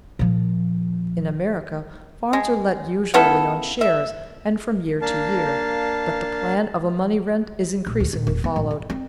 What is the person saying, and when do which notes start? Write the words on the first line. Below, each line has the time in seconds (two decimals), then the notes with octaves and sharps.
In America farms are let usually on shares, and from year to year, but the plan of a money rent is increasingly followed.
0.19 A#2 F3
2.33 G#3
3.14 C#3 B3 E4 A4
3.81 E5
5.01 A#3 D4 F5 A5
7.87 A#1
8.00 D2
8.13 A#2
8.27 E1
8.44 B3
8.56 A1
8.71 C3
8.90 C4